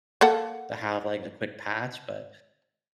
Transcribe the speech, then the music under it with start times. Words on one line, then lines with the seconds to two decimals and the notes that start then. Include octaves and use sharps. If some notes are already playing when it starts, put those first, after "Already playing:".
have, like, a quick patch, but
0.21 A#3 A4 F#5